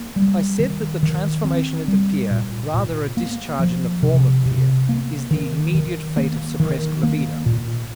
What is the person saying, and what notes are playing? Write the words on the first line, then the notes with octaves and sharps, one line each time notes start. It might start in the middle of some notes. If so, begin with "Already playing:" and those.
I said that the transformation into fear, rather a discharge in the form of fear, is the immediate fate of suppressed libido.
Already playing: A#3
G3
D#3
D#3
C4
G3
A#2
A#2
A#3
F3
C3
C3
A#3
D#3
D#3
A#3
D#3
A#3
A#2